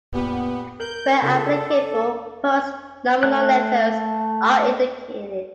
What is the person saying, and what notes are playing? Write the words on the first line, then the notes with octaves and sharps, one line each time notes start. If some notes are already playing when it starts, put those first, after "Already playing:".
Where applicable, post-nominal letters are indicated.
A#2 B3 G4
A#4 G6 F#7
C#3 A#3 F4 A4
D6
A3 F#6